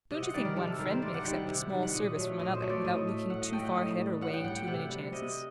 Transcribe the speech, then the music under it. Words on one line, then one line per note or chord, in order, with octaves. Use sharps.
Don't you think one friend may accept a small service from another without looking too far ahead or weighing too many chances?
C3 D#5
F#5
D#3 G3 D5
A#4
C3 A4
A4
D#3 G3 A#4
C5
C3 D5
F#5
D#3 G3 G5
F#5
C3
D#3 G3
F#5
A#2 D#5
F#3 A3
A#2 D#5
C5
F#3 A3
D5
A2 D#5
A3
A2 F#5
D#5
A3 G5
D#5 F#5
A2 D#5
G3
A2 F#5
G5
G3 F#5
G5
C3 F#5
G3
C3 D#5